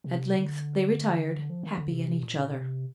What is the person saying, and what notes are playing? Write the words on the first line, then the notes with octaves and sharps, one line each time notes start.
At length they retired, happy in each other.
C3
D3
F3
D#3
D3
C3
A#2
C3